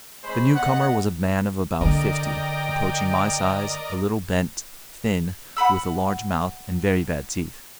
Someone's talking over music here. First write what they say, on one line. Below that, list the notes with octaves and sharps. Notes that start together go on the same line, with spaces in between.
The new-comer was a man of about fifty, approaching my size, a little bent, thin, with a large mouth, and very bad teeth.
G#3 C4 C5 C#5 B5
B3 D#5 F#5
D3 A#4 D5 D#5 G5
F#5 G5 B5 E6